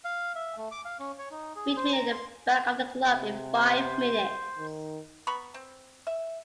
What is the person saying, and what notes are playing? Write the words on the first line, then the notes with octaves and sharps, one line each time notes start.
Meet me in the back of the club in five minutes.
F5
E5
A3
D6
F5
C#4
C#5
D#4
G#4
C5
A#5
C6
C3
C5
D#3
B3 A#5 B5 C#6
C4
E5